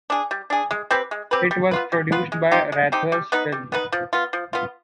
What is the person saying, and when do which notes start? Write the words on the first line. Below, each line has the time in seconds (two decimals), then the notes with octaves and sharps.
It was produced by Rathaus Films.
0.10 D4 G#4
0.31 G3
0.50 D4 G#4
0.71 G#3
0.91 C4 G4 B4
1.11 G#3
1.31 C4 G4 B4
1.51 G3
1.71 B3 F4 B4
1.92 G3
2.12 B3 F4 B4
2.32 G#3
2.52 C4 D#4 G4
2.72 G#3
2.92 C4 D#4 G4
3.12 G3
3.32 B3 D#4 B4
3.52 G3
3.72 B3 D#4 B4
3.92 F3
4.13 B3 F4
4.33 F3
4.53 B3 F4